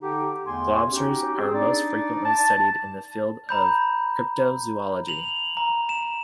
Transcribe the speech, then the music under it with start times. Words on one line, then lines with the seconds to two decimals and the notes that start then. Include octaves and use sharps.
Globsters are most frequently studied in the field of cryptozoology.
0.01 D3 D#4 G4
0.45 E2 A3 G#5 C6
0.91 C#4 D#4 F#4 G4
1.38 C4 G#4
1.53 D4 D#4 D5
2.25 A5
3.49 A#5 B5 G6
5.08 F7 F#7
5.57 A#5
5.89 E7